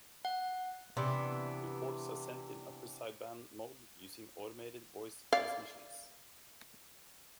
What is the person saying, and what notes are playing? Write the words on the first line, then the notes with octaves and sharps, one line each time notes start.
Reports are sent in upper sideband mode, using automated voice transmissions.
F#5
C3 E3 B3 D4
D5 F5